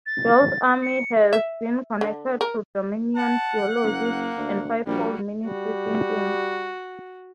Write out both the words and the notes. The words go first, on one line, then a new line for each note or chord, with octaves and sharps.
Joel's Army has been connected to Dominion Theology and Fivefold ministry thinking.
A6
C#7
E5
D3
A#4
F#5 A5
F#1 A#3
D2
A#1 G3 A#3 F#4
G3 F#4